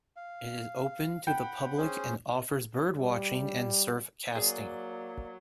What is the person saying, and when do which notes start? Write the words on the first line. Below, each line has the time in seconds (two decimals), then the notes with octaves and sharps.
It is open to the public, and offers bird watching and surf casting.
0.16 F5
1.27 F#5 G5 B5
1.77 C#4 G#4 C5
2.98 G3
4.36 F#3 A#3 G#4 D5